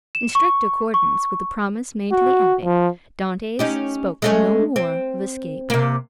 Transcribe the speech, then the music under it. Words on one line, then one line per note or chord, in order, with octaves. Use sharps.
In strict accordance with the promise made to the abbe, Dantes spoke no more of escape.
E7
C#6
C#6
F#4
F3
C#4 D#4 G4
G#3 A3 C#4
C4
C3 A#3